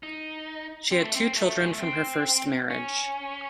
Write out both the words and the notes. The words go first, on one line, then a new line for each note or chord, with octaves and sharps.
She had two children from her first marriage.
D#4
C4
A3
C4
A3
F#3
G#3
A3
C4
C#4